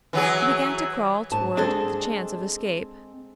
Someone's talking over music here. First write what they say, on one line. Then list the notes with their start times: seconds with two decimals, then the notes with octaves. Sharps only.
He began to crawl toward the chance of escape.
0.13 E3 F#3 G#4
1.32 G#2 A5
1.57 G#3 C4 D4 G#4 A4